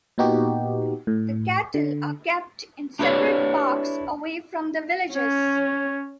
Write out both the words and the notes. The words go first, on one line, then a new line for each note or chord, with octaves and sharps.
The cattle are kept in separate parks away from the villages.
A#2 B3 D#4 F#4 G4
A2
D3
D4 E4 G4 B4 C#5 D5
C#4 C#5